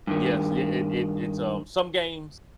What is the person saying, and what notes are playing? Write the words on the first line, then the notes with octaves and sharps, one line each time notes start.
Yes, yeah, it it it's, um some games
G2 D#3